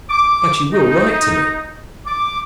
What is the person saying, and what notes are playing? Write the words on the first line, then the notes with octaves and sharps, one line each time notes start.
"But you will write to me?"
D6
D#4
D6